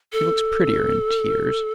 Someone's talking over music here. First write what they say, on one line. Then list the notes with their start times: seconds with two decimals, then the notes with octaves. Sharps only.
She looks prettier in tears.'
0.13 A4